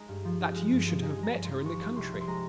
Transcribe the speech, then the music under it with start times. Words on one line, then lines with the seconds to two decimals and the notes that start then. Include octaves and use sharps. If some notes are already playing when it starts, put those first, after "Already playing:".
That you should have met her in the country!
Already playing: G#3 D#4 A#5
0.08 G2
0.25 F3
0.41 D#4
0.55 G#3
0.71 G2
0.87 F3
1.02 D#4 G#5
1.18 G#3
1.23 A#5
1.33 G2
1.44 F3 C6
1.65 G#3 C#6
1.81 F3
1.96 C2 C6
2.11 C3
2.20 C6
2.27 G#3 A#5